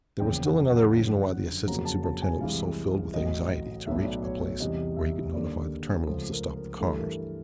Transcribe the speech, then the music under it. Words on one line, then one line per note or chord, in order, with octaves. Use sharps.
There was still another reason why the assistant superintendent was so filled with anxiety to reach a place where he could notify the terminals to stop the cars.
F#1 E2 C#3 F3 A#3 G5
F#5
F#5
F#2 D3 F3
F2 C#3 F#3 A#3 A#5
A5
A5
G#5
C2 C3 E3 G#3 F5
A1 A2 F#3 D#5
B1 A2 F#3 B3 E5
D5
C#5
C#5
E2 C3 E3 G3 D#5
E5
D#2 D3 G3 A#3 D5
C#2 C#3 F3 A3 A4
A#4
A#4
G2 E3 A3 A4
A#4